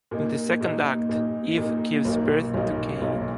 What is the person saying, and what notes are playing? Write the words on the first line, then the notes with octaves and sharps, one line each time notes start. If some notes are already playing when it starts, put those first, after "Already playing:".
In the second act, Eve gives birth to Cain.
A#2 A#3 D#4
A#2 A#3 D#4
A#2 A#3 D#4
A#2 A#3 D#4
B1 A#2 A#3 D#4
B1 A#2 A#3 D#4
B1 A#2 A#3 D#4